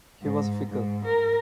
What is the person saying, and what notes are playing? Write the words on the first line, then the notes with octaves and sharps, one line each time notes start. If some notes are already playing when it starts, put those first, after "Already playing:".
He was fickle.
G#2
G#2
A#4